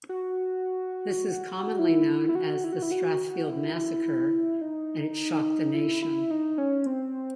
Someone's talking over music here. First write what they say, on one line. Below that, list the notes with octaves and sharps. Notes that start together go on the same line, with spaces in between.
This is commonly known as the Strathfield Massacre and it shocked the nation.
F#4
E4
E4
F#4
E4
F#4
E4
F#4
E4
D#4
E4
E4
D#4
C#4
C4